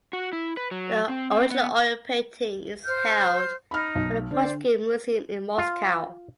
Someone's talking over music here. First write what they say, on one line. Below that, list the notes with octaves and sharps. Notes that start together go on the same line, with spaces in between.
The original oil painting is held by the Pushkin Museum in Moscow.
F#4
E4
B4
F#3
C4
C4
B3
C5 F6 G6
D#4 B5 F6
B1
D3 C5 D5
F4